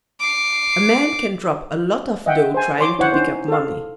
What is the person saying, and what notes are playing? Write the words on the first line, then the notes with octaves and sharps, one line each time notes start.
A man can drop a lot of dough trying to pick up money.
D6 C7
D#5 E5 F#5 G5
C5 G#5
C#5 C6 D6
E4 C5 C#5 F#5
C#4 D#4 C5
A4 F5